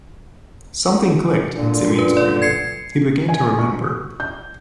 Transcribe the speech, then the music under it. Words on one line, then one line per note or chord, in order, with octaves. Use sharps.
Something clicked in Simeon's brain. He began to remember.
A#2 D3
B4
D5
G#6 C7 C#7
G#5
C#6
G6